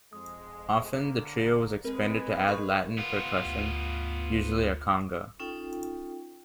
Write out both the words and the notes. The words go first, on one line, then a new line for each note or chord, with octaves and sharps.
Often the trio was expanded to add Latin percussion, usually a conga.
F2 G#3 D#6
D3 A#3
G#3 C4 A#4 B4
A#4 C#6
B3 F4
D2
C#4 D#4 F4 A4 G5